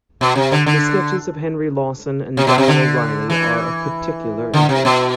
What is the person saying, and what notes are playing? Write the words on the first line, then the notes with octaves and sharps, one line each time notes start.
The sketches of Henry Lawson and Dowell O'Reilly are of particular interest.
B2
C3
D3
D3
C3
B2
C3
D3
E3
D3
C3
B2